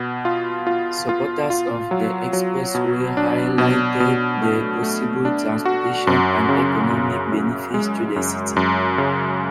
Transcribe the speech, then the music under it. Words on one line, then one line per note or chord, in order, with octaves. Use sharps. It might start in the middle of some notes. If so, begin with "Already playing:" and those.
Supporters of the expressway highlighted the possible transportation and economic benefits to the city.
Already playing: B2 B3
F4
F4
F4
F4
F#3
F#3
B2
D4
B2
B2
A3
A3
D4
F#4
F#2
C#3
F#2
F#2
G#3
F#2
F#2
C#3